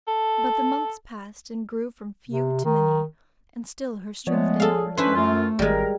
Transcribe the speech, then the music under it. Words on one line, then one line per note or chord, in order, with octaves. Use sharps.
But the months passed, and grew from few to many, and still her strength did not return.
A4
C3
D#3
F3 G#3 A3 B3 C#5 D5
G#4 A4 F5
C#4 D4 E4 B4 C5
F#2 A3 F4
G#1 G3 G#3 A#4